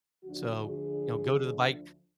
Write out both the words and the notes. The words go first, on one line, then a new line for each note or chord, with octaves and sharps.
So, you know, go to the bike
D2 D3 F3 F#4
G#4